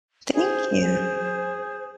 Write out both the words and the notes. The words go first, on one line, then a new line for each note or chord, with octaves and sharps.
Thank you.
G#4 C5
G#4